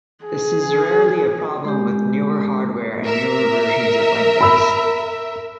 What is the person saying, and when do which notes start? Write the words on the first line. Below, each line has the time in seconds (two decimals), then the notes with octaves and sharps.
This is rarely a problem with newer hardware and newer versions of Windows.
0.25 G#4
1.65 G#3 G4
3.05 A#4 E5
4.41 B5 E6